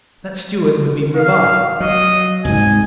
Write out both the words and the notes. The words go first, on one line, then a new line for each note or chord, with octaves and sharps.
That steward would be revived.
F5
F#3 D#5
C2 G#2 G#5